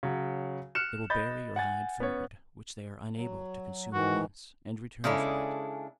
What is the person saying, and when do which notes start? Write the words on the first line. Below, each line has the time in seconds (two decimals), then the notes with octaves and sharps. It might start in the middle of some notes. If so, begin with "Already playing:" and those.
They will bury or hide food, which they are unable to consume at once, and return for it.
0.03 C#3 F#3
0.75 F6 F#6 C#7 E7
1.10 D#5 B5 G6 A6
1.56 F#5 G#5 A6
2.00 B3 C#4 C#5
3.16 F#3
3.93 G#2 D#3 E3 F#4
5.04 C#3 G#3 C#4 D4 E4 A4